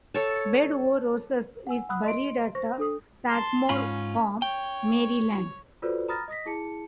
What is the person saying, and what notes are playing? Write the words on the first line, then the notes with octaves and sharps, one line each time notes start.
Bed o' Roses is buried at Sagamore Farm, Maryland.
A4 C#5 A5
F#5 G#5 E6
F#5 B5 D#6 E6 F#6
D#5 C6 D7
C5 C#6 A#6
D4 A4 D#6
A5 C6
G#2 C#4 F4 B5
C#5 G5
F4 F#4 A4 B4 C5 D5
A#5 B5 D#6 F6 A6 A#6
D#5 D#6 A#6 B6
E4 G#4 A5 C#7